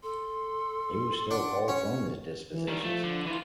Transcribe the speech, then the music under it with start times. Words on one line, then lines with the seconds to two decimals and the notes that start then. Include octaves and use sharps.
He was still far from his dispositions.
0.03 A4 C6
1.31 D4 F#5
1.68 C#4
2.51 E3
2.68 D#3 G3
2.83 F3 A3
3.03 D3
3.26 E3 E4 F4